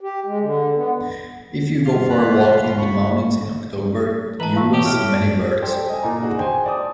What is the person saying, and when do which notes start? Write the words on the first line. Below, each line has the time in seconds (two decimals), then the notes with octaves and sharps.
If you go for a walk in the mountains in October, you will see many birds.
0.01 G4
0.26 G#3
0.41 D3
0.76 B3
1.85 G2 F4
2.10 F1 D#2 B2 B5 F#6
2.78 C#3 B5 C#6
4.40 E3 B4 D#5 A5 A#5 F#7
4.56 F5 C#6 E6
4.74 G4 C#5
4.86 A2 F6 D7
5.62 G4 A4 C5 D5 G5
5.88 D#5 G#5
6.03 A#2 A#5
6.21 D4 D#4 F#4 G#4
6.39 C5 G5 G#5
6.66 D5 A5 D6 D#6